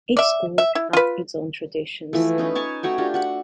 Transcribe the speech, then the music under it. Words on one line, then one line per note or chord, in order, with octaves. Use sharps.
Each school had its own traditions.
D5 E5
E5
E4
F4 B4
E3 F3 A3
C#4 D#4 B4
C#5 G#5 A5
A3 F#4 C#5 G5
D4 F4 G4
F#4 F#5